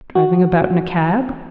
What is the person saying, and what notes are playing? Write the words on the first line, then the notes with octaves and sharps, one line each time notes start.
Driving about in a cab?
F#4